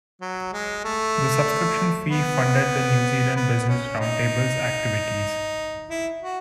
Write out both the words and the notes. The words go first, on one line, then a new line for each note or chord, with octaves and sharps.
The subscription fee funded the New Zealand Business Roundtable's activities.
F#3
G#3
A3
B3
B3
C#4
D#4
E4
F#4